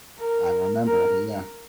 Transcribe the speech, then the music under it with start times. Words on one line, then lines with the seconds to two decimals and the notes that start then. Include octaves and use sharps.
I remember, yeah.
0.18 A#4
0.85 A#4